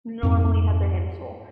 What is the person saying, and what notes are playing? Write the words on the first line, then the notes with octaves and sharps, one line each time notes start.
normally have their hands full,
F2 G#2 C4